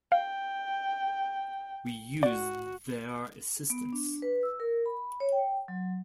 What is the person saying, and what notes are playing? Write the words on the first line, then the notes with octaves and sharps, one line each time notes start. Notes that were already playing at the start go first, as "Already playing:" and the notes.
We used their assistance.
F5 G5
F#4 D5
B3
D4
B4
E6
A#4
B5
C#5
G5
F#3